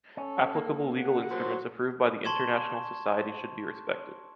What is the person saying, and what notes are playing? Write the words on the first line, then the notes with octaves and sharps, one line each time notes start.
Applicable legal instruments approved by the international society should be respected.
C#4 A4
A#3
F#5
F#3 C5
A5 C6 C#6 G#6 E7 G7